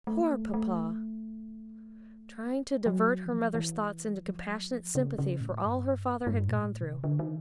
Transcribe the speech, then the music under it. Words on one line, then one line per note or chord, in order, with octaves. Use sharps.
'Poor papa!'--trying to divert her mother's thoughts into compassionate sympathy for all her father had gone through.
A3
A#3
A3
A3
F#3
E3
F3
E3
F3
F#3
F3
C#3
C#3
A2
G2
G#2
G2
A#2
A2
C3
D3
D#3